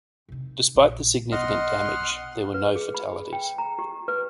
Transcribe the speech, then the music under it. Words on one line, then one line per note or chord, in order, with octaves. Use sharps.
Despite the significant damage, there were no fatalities.
C3 D#3
A#1
B1 D#5 F#5 C6 F6
B4
G#4
B5
G5
A#5
G4
B4